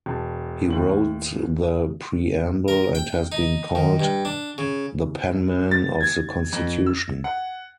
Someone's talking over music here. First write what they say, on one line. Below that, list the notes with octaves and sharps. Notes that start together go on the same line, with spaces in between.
He wrote the preamble, and has been called the Penman of the Constitution.
E1 A5
D#2 A2 F#7
A#4
G5
D#4
D#3
G2
D4
C#3
A6
G#6
F2
E6
F#5